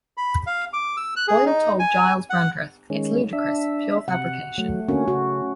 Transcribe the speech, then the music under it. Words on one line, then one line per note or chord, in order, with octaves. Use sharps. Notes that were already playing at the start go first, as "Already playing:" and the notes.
Boyle told Gyles Brandreth: It's ludicrous, pure fabrication.
B5
F5
D6
E6
F#6
G#4
D#4
G#5
F#5
D#3 G#3 C#4
D4 E5
C3 F#5
F#3 A3
D3 A#3 C#4 F#4
C#3 F#4